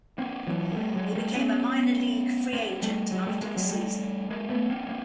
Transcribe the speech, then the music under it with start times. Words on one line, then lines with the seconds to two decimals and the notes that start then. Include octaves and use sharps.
He became a minor league free agent after the season.
0.18 A#3 C4
0.47 E3 F#3
0.72 A#3
0.76 G3 A3
0.96 F#3 G#3
1.15 G3 A3
1.36 B3 C#4
2.53 A#3 C4
2.82 G3 A3
3.12 F#3 G#3
3.26 G3 A3
3.42 G#3 A#3
3.56 F#3 G#3
3.71 G3 A3
4.30 G#3 A#3
4.49 A3 B3
4.70 A#3 C4
4.89 A#3 C4